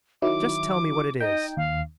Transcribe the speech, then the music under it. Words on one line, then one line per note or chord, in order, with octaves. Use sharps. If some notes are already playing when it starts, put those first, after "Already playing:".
"Just tell me what it is."
D#3 F#3 E4 D6
D#4 D#5 G5
D#2 F5